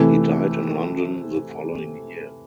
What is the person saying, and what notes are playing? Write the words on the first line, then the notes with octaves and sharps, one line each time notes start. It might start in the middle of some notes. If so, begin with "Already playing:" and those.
He died in London the following year.
Already playing: C3 E3 A3